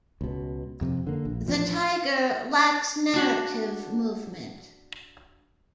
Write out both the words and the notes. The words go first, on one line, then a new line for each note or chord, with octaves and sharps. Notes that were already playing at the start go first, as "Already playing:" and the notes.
"The Tyger" lacks narrative movement.
C#2 B2
F2 C3
D3 A#3
A#1
A1 F3 C#4 D4
D4 F#4 F#5